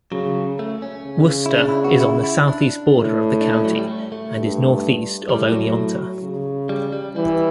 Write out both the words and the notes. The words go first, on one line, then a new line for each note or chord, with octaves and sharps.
Worcester is on the southeast border of the county and is northeast of Oneonta.
C#3 F#3
A3
C#4
C#3
E4
D4
E4
F#4
E4
E4
D4
A2
D4
C#4
F#3
G3
A3
A3
G2
A2 G3
G3
F#3
C#3
G3
G3
E3 G3